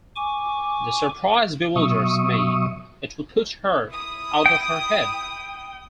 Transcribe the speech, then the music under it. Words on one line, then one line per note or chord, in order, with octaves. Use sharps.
The surprise bewilders me — it will put her out of her head!
G#5 C#6 D6
B2 F#3 E5 C#6 D#6
E4 D#6
G5